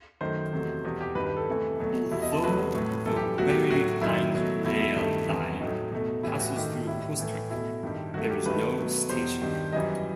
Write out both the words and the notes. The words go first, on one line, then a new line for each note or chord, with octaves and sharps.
Although the Wherry Lines rail line passes through Postwick, there is no station.
F#2 D#3 A3 C5
E2 C3 F#3 A3
E2 B2 G3
G4
G2 D#3 G3 B4
B4
A4
E2 C3 E3 A3
B2 F#3 A3
E2 B2 G3 E4
D#5
A5
E2 C3 F#3 A3 B4
A2 F#3 A3
F#2 E3 G3 A4
G4
B2 F#3 A3 F#4
G4
A2 F#3 A3 F#4
F#2 D#3 F#3 E4
B2 F#3 A3
E2 B2 A3 E4
E4
G2 D#3 A3
E2 C3 E3
A2 F#3 A3 D#4
B2 A3
A2 E3 G3 E4
F#4
G2 D#3 A3 G4
A2 G3 E4
A2 E3 A3
B2 A3 E4
G2 D#3 G3
G2 F#3 A3 F#4
G4
G2 D#3 F#3 A3 B4
B2 F#3 A3
E2 B2 G3 C5
G2 D#3 G3
F#2 E3 G3 D#5